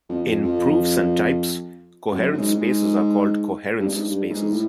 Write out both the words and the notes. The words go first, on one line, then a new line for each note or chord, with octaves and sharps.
In "Proofs and Types" coherent spaces are called coherence spaces.
F2
F2
F2
F#2
G#2
G#2
G2
G#2
G2
G#2
A2